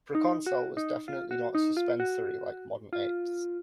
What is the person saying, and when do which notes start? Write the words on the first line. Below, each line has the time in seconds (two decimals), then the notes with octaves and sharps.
"Proconsul" was definitely not suspensory like modern apes.
0.15 D#4
0.46 F#4
0.77 D#4
1.08 F4
1.31 F#4
1.55 D#4
1.77 F4
2.00 F#4
2.93 F4